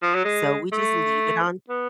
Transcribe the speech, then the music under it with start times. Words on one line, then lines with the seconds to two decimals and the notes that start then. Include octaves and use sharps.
So, we just leave it on
0.02 F3
0.14 F#3
0.25 G#3
0.72 A3
1.69 B3